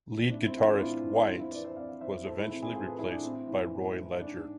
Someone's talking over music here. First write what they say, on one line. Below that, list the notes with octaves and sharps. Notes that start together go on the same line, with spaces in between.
Lead guitarist White was eventually replaced by Roy Ledger.
C4
A2 D4
C4 E4
E3
D4 F4
A2 C4 E4
E3
F2 D4 F4
C4 E4
E3 B4 D5
C5 E5
F2 D5 F5
E3 C5 E5
A2 A4 C5
E4 G#4
E3 C4 E4
E4 G#4
A2 F4 A4
G#4 B4
E3 E4 G#4
D4
A2 C4
E3
A2
E3
G#2 D4